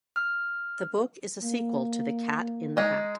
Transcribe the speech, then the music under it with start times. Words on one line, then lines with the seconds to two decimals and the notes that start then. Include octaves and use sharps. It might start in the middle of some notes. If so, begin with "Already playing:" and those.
The book is a sequel to "The Cat in the Hat".
0.16 F6
1.42 A#3
2.77 G#3 D#4